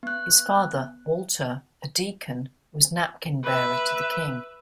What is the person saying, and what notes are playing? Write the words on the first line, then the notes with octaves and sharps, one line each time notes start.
His father, Walter, a deacon, was Napkin Bearer to the King.
B3 F#6
B4 E5